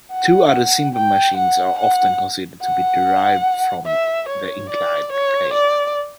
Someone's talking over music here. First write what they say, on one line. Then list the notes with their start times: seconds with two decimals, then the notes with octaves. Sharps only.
Two other simple machines are often considered to be derived from the inclined plane.
0.12 F#5
0.95 G5
1.37 F#5
1.79 F#5
2.62 F#5
3.86 E5
4.29 C#5
4.70 D5
5.13 C#5
5.54 D5